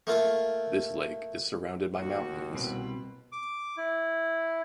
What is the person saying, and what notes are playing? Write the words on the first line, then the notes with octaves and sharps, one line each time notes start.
This lake is surrounded by mountains.
A3 A#3 F4
D#2 F#4
C2 B2 C4 B4
D6
E4